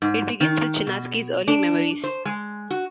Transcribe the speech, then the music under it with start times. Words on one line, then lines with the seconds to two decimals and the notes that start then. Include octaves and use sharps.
It begins with Chinaski's early memories.
0.02 G#2
0.40 D#3
0.87 B2
1.48 D4
2.04 C5
2.25 G#3
2.71 F#4